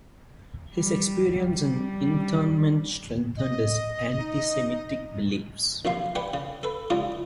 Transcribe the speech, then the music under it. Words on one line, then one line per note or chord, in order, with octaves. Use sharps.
His experience in internment strengthened his antisemitic beliefs.
G3
G3
D#5
D#4
A#1 F#2 C3 F5 C6
G3 G4 B4 F#5
C#3
A4 B4
G#2 C#3 G3 F4